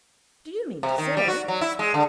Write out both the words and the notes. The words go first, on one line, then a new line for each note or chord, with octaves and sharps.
Do you mean to say--?'
C3
D#3
G3
F#4
F#3
E4
G#3
D3